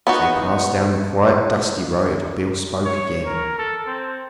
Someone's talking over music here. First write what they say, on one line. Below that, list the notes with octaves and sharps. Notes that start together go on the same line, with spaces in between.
As they passed down the quiet, dusty road Beale spoke again.
B3 D#4 F#4
C#5
A#4
A4
C4